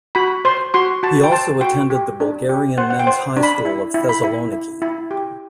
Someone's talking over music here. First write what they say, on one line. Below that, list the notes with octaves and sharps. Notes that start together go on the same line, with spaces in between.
He also attended the Bulgarian Men's High School of Thessaloniki.
F#4 B5
C5 C6
F#4 C6
F#4 A5
G5
C5 A5
F#4 G5
G4
D4
G4
C5 F#5
F#5
G5
C5
D4
B5
E4
E4
B5
E4
E4
E4
G4